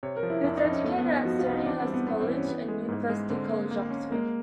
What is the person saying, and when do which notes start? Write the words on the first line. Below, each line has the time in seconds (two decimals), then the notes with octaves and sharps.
He was educated at Stonyhurst College and University College, Oxford.
0.03 C3 C#5
0.16 A#4
0.23 F3
0.30 E4
0.44 F2 D4
0.57 D#4
0.64 F2
0.71 C#4
0.84 A3 B3
0.98 B3
1.05 F3
1.12 D#4
1.25 F3 F#4
1.39 F4
1.46 C2
1.52 D#4
1.66 E3 D4
1.80 C4
1.87 G3
1.94 B3
2.07 B3 C4
2.21 C4
2.28 E3
2.34 C#4
2.48 B3
2.68 G#3
2.88 G#2
3.09 G#3
3.30 D3 C4
3.51 A#3
3.71 A#3
3.90 C#4
4.12 G#3 A#3